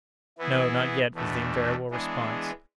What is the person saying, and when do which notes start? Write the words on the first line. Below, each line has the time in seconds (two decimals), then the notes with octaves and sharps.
"No, not yet," was the invariable response.
0.38 E3 B3 E4 G#4
1.15 E2 B2 A3 D4
1.90 E3 G#3 B3 D4 G#4